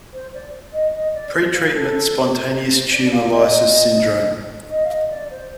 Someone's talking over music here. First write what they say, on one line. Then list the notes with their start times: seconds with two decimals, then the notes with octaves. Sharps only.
Pretreatment spontaneous tumor lysis syndrome.
0.13 C5
0.34 D5
0.73 D#5
0.94 D#5
1.14 D5
1.33 C5
1.53 F4
1.73 A4
2.72 C5
2.92 D5
3.12 F5
3.32 D#5
4.70 D#5
4.85 F5
4.90 D#5
5.10 D5
5.31 C5